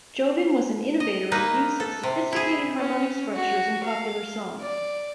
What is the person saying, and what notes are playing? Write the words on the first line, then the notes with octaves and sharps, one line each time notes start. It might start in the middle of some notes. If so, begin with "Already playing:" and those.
Jobim was an innovator in the use of sophisticated harmonic structures in popular song.
D#5
A#3 D#4 B4
A4
C3
E4 G#4
C#4
F#4
F5
D5